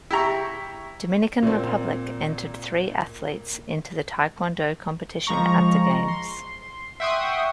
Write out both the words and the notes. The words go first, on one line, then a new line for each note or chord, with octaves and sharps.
Dominican Republic entered three athletes into the taekwondo competition at the Games.
E4 G4 A#5 C#6
A#2 A#3 C4
F3 G#3 A#5 C#6
C6
E5 F#5 G5 C6 C#6 D#6